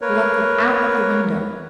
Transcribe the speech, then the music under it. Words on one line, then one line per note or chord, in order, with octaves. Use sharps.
Gluck looked out of the window.
A#3 A#4 B4 C#5